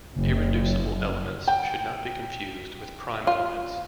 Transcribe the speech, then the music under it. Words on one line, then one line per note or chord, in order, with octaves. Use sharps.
Irreducible elements should not be confused with prime elements.
F#1
G5
F4